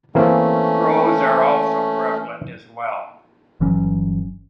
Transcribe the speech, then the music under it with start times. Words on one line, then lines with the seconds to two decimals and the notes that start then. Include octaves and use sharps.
Crows are also prevalent as well.
0.15 E3 A3 A#3 C4 C#4
3.60 G1 E3 F#3 C#4